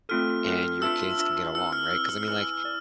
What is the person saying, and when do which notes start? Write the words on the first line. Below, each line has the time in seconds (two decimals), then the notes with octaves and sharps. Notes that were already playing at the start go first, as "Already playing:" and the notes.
and your kids can get along, right, 'cause I mean, like
0.09 A3 C4 F4 A4 F6
0.45 A3 C4 F4 A4
0.82 D4 F4 B4 E5 A5 E6
1.18 D4 F4 B4 E5 A5
1.55 C4 E4 B4 E6
1.73 F6
1.91 C4 E4 B4 F6
2.09 E6
2.28 E4 B4 D5 G#5 F6
2.64 E4 B4 D5